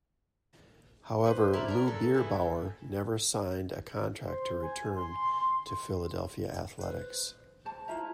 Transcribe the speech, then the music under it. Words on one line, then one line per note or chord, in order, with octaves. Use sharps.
However Lou Bierbauer never signed a contract to return to Philadelphia Athletics.
B4 C5
E4 A#4 D5
D4 A#4
C#3 F#3 A4
E3 B3 E4
C5
G#5
C6
B4 C5
C5 A5
E4 F4 E5 A#5